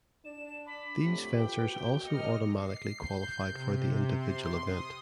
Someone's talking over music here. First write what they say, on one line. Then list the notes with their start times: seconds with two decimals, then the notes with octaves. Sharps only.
These fencers also automatically qualified for the individual event.
0.25 D4 D5 E7
0.66 B5 D6
1.02 C3 F3 F#3 A3
1.34 F4 A4 B4 G5
1.69 A#3 F#4 G7
2.06 B2 D#5 D6 F6 C#7
2.56 C7
2.97 G6
3.46 C3
3.78 C3
4.11 C6
4.63 D#6